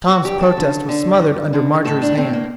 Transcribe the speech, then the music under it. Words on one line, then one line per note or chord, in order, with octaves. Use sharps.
Tom's protest was smothered under Marjorie's hand.
F#4
G2 G4
A4
D3
D3
G2
D3
A2 A4
D4
A2 C4
A#3